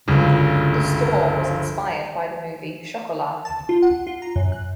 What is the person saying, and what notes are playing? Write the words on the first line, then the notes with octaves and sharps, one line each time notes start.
The store was inspired by the movie "Chocolat".
G1 C#2 F#2 C#3
A5
F4
F#5
F4
A#5
F#2
F#6